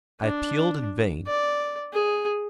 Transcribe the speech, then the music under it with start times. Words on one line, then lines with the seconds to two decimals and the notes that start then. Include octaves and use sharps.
I appealed in vain.
0.21 D4
1.27 D5
1.93 G#4